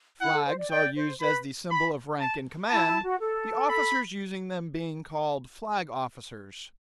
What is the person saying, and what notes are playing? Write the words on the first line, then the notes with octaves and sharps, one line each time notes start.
Flags are used as the symbol of rank and command, the officers using them being called flag officers.
E4 F#5
A4
C5
D5
D5 G5
C5
B4 B5
B5
A5
E4 A5
E4
F#4
A4
B5